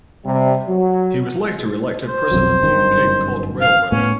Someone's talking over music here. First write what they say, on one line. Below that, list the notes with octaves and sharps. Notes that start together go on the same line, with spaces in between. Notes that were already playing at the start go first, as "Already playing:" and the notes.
He was later elected president of the Cape Cod Railroad.
C3 G3
F#3
C5
B1 F2 F#3
G1 F#2 D#3
F5
A2 B3 C#4